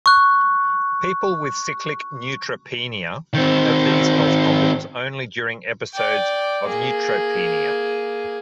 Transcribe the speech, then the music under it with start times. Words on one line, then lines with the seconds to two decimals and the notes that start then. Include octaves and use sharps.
People with cyclic neutropenia have these health problems only during episodes of neutropenia.
0.06 C#6 F#6
3.34 D#3 C4
5.94 D5 G5
6.67 A#3 G#4